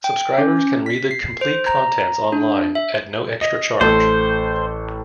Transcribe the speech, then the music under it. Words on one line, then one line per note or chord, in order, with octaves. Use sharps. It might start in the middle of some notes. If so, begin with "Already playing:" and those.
Subscribers can read the complete contents online at no extra charge.
G5
C#4
B6
C7
C5
A#5
D4
E5
D#5
A1 A4 C5